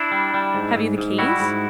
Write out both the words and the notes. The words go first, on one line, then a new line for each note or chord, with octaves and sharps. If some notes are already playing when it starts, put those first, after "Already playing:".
"Have you the keys?"
Already playing: D4 E4
G3
G3
G#2
G#2
G#2
G3 E4 F#4
G#2